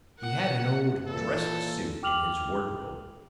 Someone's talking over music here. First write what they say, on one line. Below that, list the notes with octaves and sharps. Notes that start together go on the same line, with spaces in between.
He had an old dress-suit in his wardrobe.
A#4 F#5
A#2 E3 A4
G5 D6 F6 F7 F#7